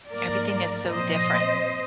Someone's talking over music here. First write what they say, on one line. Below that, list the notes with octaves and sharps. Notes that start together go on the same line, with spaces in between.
everything is so different.
G#2 F3 A#3 A#4 D5
A#2 F3 C4 C5 D#5